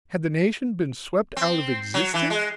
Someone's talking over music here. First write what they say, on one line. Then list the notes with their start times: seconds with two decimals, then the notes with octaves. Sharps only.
Had the nation been swept out of existence?
1.37 C4
1.94 F#3
2.14 E3
2.30 G#3